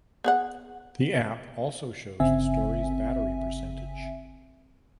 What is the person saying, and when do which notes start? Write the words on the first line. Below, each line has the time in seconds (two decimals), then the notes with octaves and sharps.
The app also shows the Stories’ battery percentage.
0.24 B3 G#4 F#5
2.20 G1 C#3 C4 E5 G#5